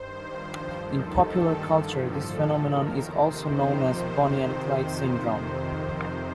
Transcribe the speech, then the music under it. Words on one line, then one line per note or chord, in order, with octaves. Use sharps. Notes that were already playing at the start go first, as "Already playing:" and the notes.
In popular culture, this phenomenon is also known as "Bonnie and Clyde Syndrome".
Already playing: G2 D#3 C5
G2 F3
D#2 D#3 A4
G2 D#3
G2 D3 F3
A2 F3 A4
D#2 D#3 A#4
F2 C3 D#3 C5